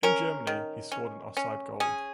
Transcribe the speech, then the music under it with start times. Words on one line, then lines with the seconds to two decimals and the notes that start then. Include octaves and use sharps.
In Germany, he scored an offside goal.
0.03 C#4 A#4
0.47 D#3
0.92 C#4
1.37 C#4
1.80 C#4 G#4